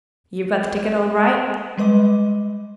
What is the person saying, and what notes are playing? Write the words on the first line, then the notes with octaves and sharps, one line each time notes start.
"You've got the ticket all right?"
G3 G#3 B4 D#5 D6